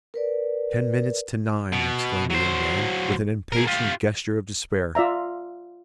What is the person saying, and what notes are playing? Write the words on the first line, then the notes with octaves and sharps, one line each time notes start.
"Ten minutes to nine!" exclaimed the young man, with an impatient gesture of despair.
A#4 B4 D5
B2
F#3 C5
G#4 A#4
F4 G4
F4 D5 E5 A#5